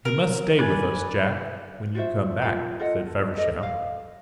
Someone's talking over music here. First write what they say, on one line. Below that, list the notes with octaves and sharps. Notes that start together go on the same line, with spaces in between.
"You must stay with us, Jack, when you come back," said Feversham.
A#4
B4 D5 G#5
F4 F#4 C5 E5
F4 A#4 F5 B5
F4 A4 D#5 F#5
A4
A4 D#5
F5